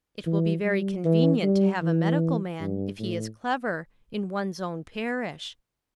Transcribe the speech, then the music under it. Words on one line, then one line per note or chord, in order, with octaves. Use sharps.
It will be very convenient to have a medical man--if he is clever--in one's own parish.
E3
G3
E3
G3
E3
G2
A2